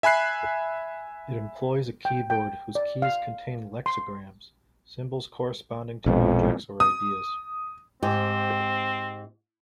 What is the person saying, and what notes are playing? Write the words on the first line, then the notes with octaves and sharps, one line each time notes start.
It employs a keyboard whose keys contain "lexigrams", symbols corresponding to objects or ideas.
E5 G#5 B5 F#6 C7
G5
G5
D5
F5
C6
A#1 F2 B2 G#3
D#6
G#2 C4 G4